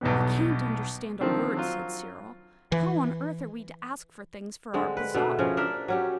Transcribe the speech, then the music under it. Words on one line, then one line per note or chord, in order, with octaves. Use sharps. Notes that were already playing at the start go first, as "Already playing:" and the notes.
'I can't understand a word,' said Cyril. 'How on earth are we to ask for things for our bazaar?'
B1 E2 B2 G3 B3
D3 D#3 F3 A3 C4 D4
F#3 F4
E3
D3 G#3 C4
B4
B2 A3 G#4
C#3 F3 C#4
D4 A#4 E5
F#3 C#4 G4